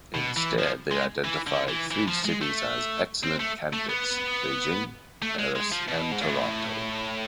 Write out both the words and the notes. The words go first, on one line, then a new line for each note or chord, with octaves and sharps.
Instead, they identified three cities as excellent candidates; Beijing, Paris, and Toronto.
B2
E3
F3
G#3
E3
D3
E3
E3
F3
G#3
A3
C4
A3
A3
B3
A3
G#3
G#3
F3
B2
G#2
A2